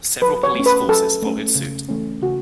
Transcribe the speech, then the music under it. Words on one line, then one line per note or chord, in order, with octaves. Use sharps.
Several police forces followed suit.
F#3 B4
C#5
A3 C#4
B4
F#3 A4
A3 C#4
C#3
E3 A3 C#4
C#3 F#4